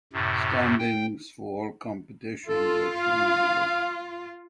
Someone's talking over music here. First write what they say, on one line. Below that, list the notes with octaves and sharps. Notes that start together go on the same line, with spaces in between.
Standings for all competitions are shown below.
F#2 A2 C3
G5
F4 A4
F5